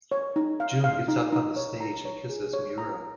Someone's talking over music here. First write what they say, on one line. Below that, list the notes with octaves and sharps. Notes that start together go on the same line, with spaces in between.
Jun gets up on the stage and kisses Miura.
C#5
D#4
F5
F5
D#4
D#4
C#5
A#5
C#5
G#4
C#5
A#5